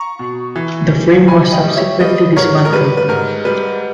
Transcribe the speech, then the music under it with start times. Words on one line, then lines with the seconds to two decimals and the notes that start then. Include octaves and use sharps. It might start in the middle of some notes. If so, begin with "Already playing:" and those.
The frame was subsequently dismantled.
Already playing: A#5 C#6
0.19 B2
0.56 E3
0.92 G3
1.28 D#3 G#5 B5
1.52 D#5 G5
1.64 G3
1.77 C#5 E5
2.00 G3 B4 D#5
2.36 G#2 A#4 C#5
2.65 A#4
2.72 G3 B4
2.97 B4
3.09 G#2 A#4
3.45 G3 B4